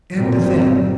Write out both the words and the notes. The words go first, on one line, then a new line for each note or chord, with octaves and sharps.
"And then?"
G1 A#2 F#3 G3 C4